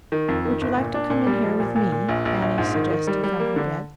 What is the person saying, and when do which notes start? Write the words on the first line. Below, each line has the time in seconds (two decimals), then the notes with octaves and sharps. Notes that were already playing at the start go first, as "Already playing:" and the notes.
"Would you like to come in here with me?" Annie suggested from her bed.
0.12 D#3
0.28 F2
0.45 D#3
0.61 G1
0.77 A#2
0.94 D4
1.10 A#2
1.27 G3
1.43 F3
1.60 A#2
1.75 A#2
1.92 A#2
2.09 A#1
2.25 A#1
2.42 A#1
2.58 G#2
2.75 D#3
2.91 D#3
3.07 G3
3.24 G3
3.40 A#3
3.56 D3